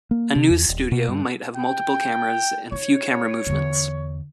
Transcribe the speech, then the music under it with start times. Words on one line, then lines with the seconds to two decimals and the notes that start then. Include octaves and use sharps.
A news studio might have multiple cameras and few camera movements.
0.11 A#3
0.36 C3
0.50 E2
0.68 D#1
0.92 B2
1.08 G2
1.56 G5
2.72 D#4 C#5
3.47 E2 D3